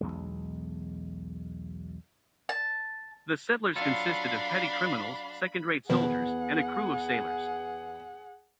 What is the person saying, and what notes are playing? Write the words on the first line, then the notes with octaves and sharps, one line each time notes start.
The settlers consisted of petty criminals, second-rate soldiers and a crew of sailors.
B1 E2 G#3
A5
F#3 D4 F4 A4 F5 B5
E2 B2 D#3 F3 G#4 B4 F#5